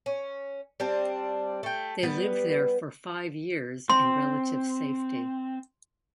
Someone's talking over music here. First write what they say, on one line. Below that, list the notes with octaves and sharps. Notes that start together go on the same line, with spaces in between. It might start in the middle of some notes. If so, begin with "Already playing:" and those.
They lived there for five years in relative safety.
C#4
G3 C4 D4
A3 G5
G3 B3 B4
C4 C6